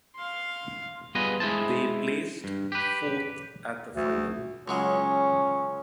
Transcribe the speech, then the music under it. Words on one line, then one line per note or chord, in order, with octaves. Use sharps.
They placed fourth at the Final.
F5 C6
G3 B3 F4 G#4 B4 D#5
G#3 E4 G#4 C5 A5
G2
G4 B4
D2
C#2 F#3 G#3 C#4